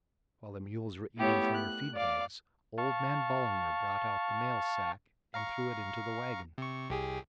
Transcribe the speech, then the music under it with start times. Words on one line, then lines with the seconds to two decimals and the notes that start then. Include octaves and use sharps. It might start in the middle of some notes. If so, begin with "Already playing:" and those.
While the mules were eating from their feed bags old man Ballinger brought out the mail sack and threw it into the wagon.
1.17 A3 B3 E4 G4 C#5
1.53 F#6
1.94 D5 F5 D6
2.78 F5 A5 C#6
5.34 F5 A#5 C#6
6.58 C3 C#6
6.90 C2 G4 G#4